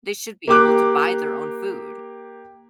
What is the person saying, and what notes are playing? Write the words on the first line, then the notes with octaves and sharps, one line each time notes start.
They should be able to buy their own food.
A#3 G4 D6 F#6